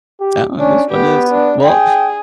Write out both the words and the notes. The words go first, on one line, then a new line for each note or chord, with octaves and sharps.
That one this one is well,
G4
C#4 D4
B3 G4
D4
G#4 G5